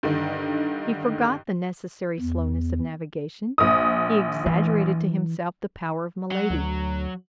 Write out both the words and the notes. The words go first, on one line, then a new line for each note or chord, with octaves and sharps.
He forgot the necessary slowness of navigation; he exaggerated to himself the power of Milady.
G2 D3 D#3
E2
A#1 D#6
E3
F#3
D2